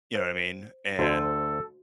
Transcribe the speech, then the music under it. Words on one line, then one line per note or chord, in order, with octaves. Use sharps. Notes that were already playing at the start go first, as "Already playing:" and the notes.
you know what I mean, and
C5
D2 F#4 A4 C5